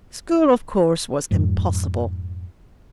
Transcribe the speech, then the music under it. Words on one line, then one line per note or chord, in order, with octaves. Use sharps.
School, of course, was impossible.
F2 G#2